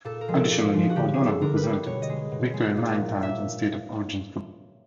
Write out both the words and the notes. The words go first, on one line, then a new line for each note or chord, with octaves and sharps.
Additionally, O'Donnell represented Victoria nine times in state of origin football.
A#2 A4
A#4
F3 G#3
A4
A#2
F3 G#3
F#4
D3 G4
G3 G#4
A4
D3 A#4
B4
G3
B2 C#5
D#5
G#3
B2
G#3
A#2
F#3
A#2 E5